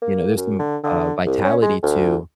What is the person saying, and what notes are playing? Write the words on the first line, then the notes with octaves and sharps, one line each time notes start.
you know, there's some, uh, vitality to
A#3
F#2
D3
D3
C2
C#4
G#3
D2